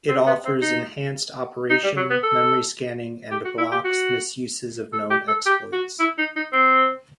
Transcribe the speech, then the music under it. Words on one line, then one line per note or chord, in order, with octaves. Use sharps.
It offers enhanced operation memory scanning and blocks misuses of known exploits.
C4
B3
C4
D#4
D#4
G3
F#3
B3
A4
G4
F#4
E4
G4
F#4
A4
G4
A4
G4
F#4
E4
D#4
D#4
C4